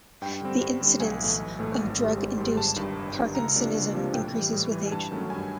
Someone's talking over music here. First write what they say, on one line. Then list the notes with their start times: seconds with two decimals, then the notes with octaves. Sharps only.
The incidence of drug-induced parkinsonism increases with age.
0.22 G2 G5
0.41 D3 G3 C4
0.61 G2
0.81 D3 G3 C4
1.00 B1 G#5
1.20 A2 E3 A3
1.39 B1
1.59 A2 E3 A3
1.79 G#1
1.98 G#2 D#3 G3
2.17 G#1
2.38 G#2 D#3 G3
2.57 G1 A5
2.76 G2 D#3
2.95 G1
3.16 G2 D#3
3.35 C#2 A#5
3.55 C3 F3 A#3 D4
3.74 C#2
3.94 C3 F3 A#3 D4
4.13 A2 G5
4.33 E3 G3
4.52 A2
4.72 E3 G3
4.86 G#5
4.92 G2 A5
5.11 D#3 F#3 A3 C#4
5.30 G2 G#5